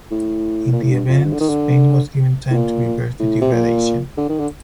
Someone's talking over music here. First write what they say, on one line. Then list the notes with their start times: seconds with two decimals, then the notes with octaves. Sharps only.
In the event, Spain was given time to reverse the degradation.
0.11 A2
0.73 A#2
0.82 A2
0.91 G2
1.08 F2
1.24 G2
1.33 D3
1.40 D#3
1.49 D3
2.51 A2
2.54 A#2
3.20 A2
3.41 C3
3.53 A#2
4.17 D3
4.29 D#3
4.40 D3